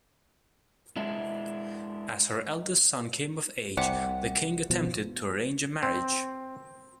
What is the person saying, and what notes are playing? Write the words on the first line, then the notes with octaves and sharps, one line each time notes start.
As her eldest son came of age, the king attempted to arrange a marriage.
G#3 D4 E4
C2 C3 D5 F#5
B2 F3
C4